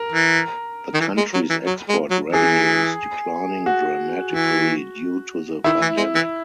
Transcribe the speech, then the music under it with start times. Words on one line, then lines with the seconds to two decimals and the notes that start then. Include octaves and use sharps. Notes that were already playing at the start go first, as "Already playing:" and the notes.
The country’s export revenues declining dramatically due to the pandemic.
Already playing: A#4
0.12 E3
0.94 D#3
1.00 E3
1.17 G#3
1.34 F#3
1.50 E3
1.66 F#3
1.89 G#3
2.11 F#3
2.33 E3 G#4
3.66 F#4
4.33 E3
5.64 D#3 E4
5.82 E3
5.97 G#3
6.15 E3